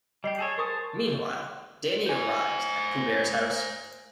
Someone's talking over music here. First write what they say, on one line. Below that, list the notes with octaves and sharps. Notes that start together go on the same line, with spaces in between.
Meanwhile, Danny arrives at Pooh Bear's house.
G3 G4 D#5 C7
G#4 A4 C#5
G#4 A#4 C5 A5 C#6 D#6
C5 G#5